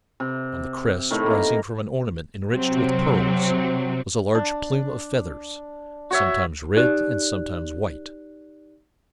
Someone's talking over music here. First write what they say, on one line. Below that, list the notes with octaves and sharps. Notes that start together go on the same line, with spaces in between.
On the crest, rising from an ornament enriched with pearls, was a large plume of feathers, sometimes red and sometimes white.
C3
A2 D#3 A3
A#3 A#5
C3 F#3 C4
D4
F#4 C#5 E5
D#4 G4 D5 F#6